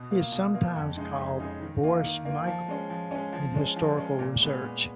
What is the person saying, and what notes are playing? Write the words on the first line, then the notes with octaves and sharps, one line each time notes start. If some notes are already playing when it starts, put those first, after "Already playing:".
He is sometimes called Boris-Michael in historical research.
Already playing: B2
A#3 F4
B2
A#3 F4
F2
C#3 G#3 D#4
F2
C#3 G#3 D#4
D#3
A#3 F4
D#3
A#3 F4
F3
G#3 C#4
F3
G#3 C#4
F3
G#3 C#4
F3
G#3 C#4
A#2
G#3 B3
A#2